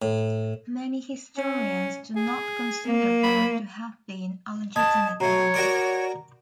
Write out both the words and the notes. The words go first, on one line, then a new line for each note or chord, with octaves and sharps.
Many historians do not consider her to have been a legitimate monarch.
A2
C#4
G#4
A#3
B5
D#5 A5 B5 D#6 G#6
B2 A3 C#5 A#5
F#4 A#4 D5